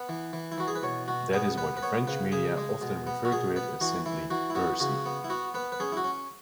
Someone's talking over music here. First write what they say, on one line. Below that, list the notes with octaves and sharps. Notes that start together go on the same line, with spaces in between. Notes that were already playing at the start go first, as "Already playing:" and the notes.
That is why the French media often refer to it as simply "Bercy".
Already playing: B3 B4
E3
E3
E4
E3 F#4
G#4
B4
B2 C#5
B2 F#4
B3 G#4
B3 B4
B4
B3 C#5
C#3 B4
C#3 G#4
G#3
B2
B3
F#4
B2 G#4
B3 B4
E3 F#4
E3 E4
E3 F#4
E4
B3 F#4
C#3 F#4
B3
E4
B3 F#4
B3 B4
B4
C#4 G#4
E4
F#4
C#4